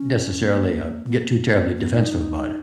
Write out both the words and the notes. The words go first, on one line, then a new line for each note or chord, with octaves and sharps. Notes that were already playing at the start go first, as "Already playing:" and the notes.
necessarily, uh, get too terribly defensive about it.
Already playing: C#4
B3
A#3
B3
A#3
B3
A#3
B3
D#4